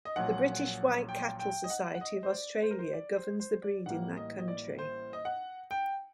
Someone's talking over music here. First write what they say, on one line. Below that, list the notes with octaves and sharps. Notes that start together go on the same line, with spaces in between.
The British White Cattle Society of Australia governs the breed in that country.
D#5
A#1 A#2 F#3 F#5
G5
G5
D#5
F#5
F#5
D#5
C5
D5
C5
A#4
C5
D5
C5
C5
D5
A1 A2 G3 A#3 F#5
D#5
D#5
D5
C5
D#5
F#5
G5